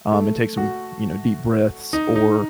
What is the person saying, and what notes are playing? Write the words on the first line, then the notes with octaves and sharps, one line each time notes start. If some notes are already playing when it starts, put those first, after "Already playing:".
um, and take some, you know, deep breaths, or,
A3
F#4
D#4
D#4